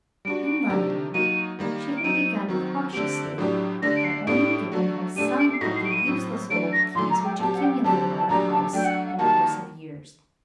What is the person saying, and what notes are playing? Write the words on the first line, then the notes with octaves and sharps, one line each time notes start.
In London, she had begun cautiously by only giving him some of the useless old keys which accumulate about a house in course of years.
G3 D4 F#4 D7
D7
C3 D#3 A3 D4 G4
F#3 A#3 D#4 F#4 D#7
D#3 G3 A#3
D7
F#3 C4 D#4 D#7
D#3 F#3 C4 F#4
D3 A3 C4 G4 D7
A2 F#3 A3 D4 G4
D3 A3 D4 G4 A#6
D7
C7
A2 A3 D4 G4 D7
F#3 A3 D4 F#4
A#2 A3 D4 G4 D#7
D7
C7
A2 A3 D#4 F#4 A#6
C7
D7
D#7
A2 F#3 C4
F#3 A3 D4 F#4 D7
A#6
A#2 F#3 A3 C6
A#5
G5
A#2 F#3 C4 G4 A5
F#5
G5
D3 F#3 C4 G4 A5
A5
A#2 F#3 A3 D4 G4 A#5
A5
F#3 A3 D4 G5
F#5
F#5
D#3 G3 A#3 F#4 A5